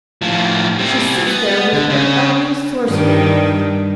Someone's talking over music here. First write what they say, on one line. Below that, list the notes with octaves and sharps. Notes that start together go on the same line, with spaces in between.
She sits there with her ugly sorcery.
A2 F3
G3 C4
B3
D3
C#3
G2 D#3 G3